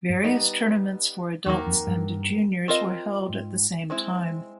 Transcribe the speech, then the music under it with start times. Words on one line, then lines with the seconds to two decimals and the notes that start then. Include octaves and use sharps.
Various tournaments for adults and juniors were held at the same time.
0.09 G2
0.24 G3 B3 D#4
1.46 E2 D#3 F#3 A#3
1.67 F2
1.87 G2
2.68 C4 F4 A#4 D#5
3.29 G#2
3.90 G#3 C4 E4